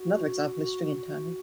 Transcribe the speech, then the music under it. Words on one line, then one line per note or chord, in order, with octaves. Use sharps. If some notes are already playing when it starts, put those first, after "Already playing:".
Another example is string interning.
Already playing: F#4
F#4